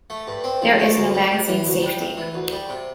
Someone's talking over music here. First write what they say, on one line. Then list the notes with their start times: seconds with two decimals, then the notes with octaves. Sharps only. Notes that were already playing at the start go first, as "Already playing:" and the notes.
There is no magazine safety.
0.10 A3
0.28 G2
0.44 C4
0.62 F3
0.79 A3
0.97 D2
1.14 G3
1.31 C3
1.48 E3
1.66 D2
1.82 G3
2.01 C3
2.17 E3
2.34 D2
2.52 G3
2.69 C3